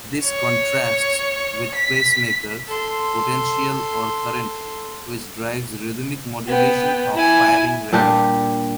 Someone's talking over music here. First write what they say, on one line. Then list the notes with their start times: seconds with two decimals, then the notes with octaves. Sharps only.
This contrasts with pacemaker potential or current which drives rhythmic modulation of firing rate.
0.25 C#5
1.74 B6
2.67 A4 C6
6.47 B3 G5
7.14 E4 G#5
7.92 A#2 G3 D4 G4